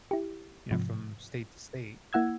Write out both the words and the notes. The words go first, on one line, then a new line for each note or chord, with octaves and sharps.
you know, from state to state.
E4 G4
G#2 C3 F3
A#3 E4 F#5 E6 G#6